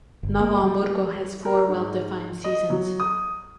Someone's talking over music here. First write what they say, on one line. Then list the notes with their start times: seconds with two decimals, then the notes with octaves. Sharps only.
Novo Hamburgo has four well defined seasons.
0.23 G1
0.40 A#3
0.64 G3
1.45 A#4
1.69 G#2
2.44 D#5
2.70 F#3
3.00 D#6